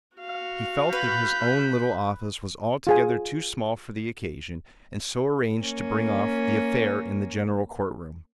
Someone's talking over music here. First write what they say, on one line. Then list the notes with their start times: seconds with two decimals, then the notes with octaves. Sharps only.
He felt that his own little office was altogether too small for the occasion and so arranged to bring off the affair in the general courtroom.
0.17 F#4 F5
0.93 B4 B5 G6
2.87 F4 G#4 G#5
5.61 A#3 C#4